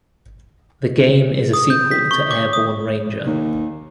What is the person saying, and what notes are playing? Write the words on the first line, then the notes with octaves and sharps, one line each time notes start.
The game is a sequel to "Airborne Ranger".
D#6
G6
B6
C#6
D6
D#6
D#2